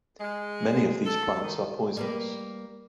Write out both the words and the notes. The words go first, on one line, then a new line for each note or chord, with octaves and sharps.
Many of these plants are poisonous.
G#3
A4
D#3
G3 A#3 B4